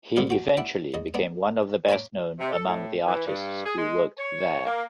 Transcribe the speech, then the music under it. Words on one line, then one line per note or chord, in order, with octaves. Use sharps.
He eventually became one of the best known among the artists who worked there.
A#2 D3 F3 G3 F5 G5
F#4 G5
E4 D5 F#5 G5
E2 D#5
B3 D4
C#5 G#5 A#5 B5 D6
C3
A4
A2
E3
G2
G#4
G#3
C#5
A#3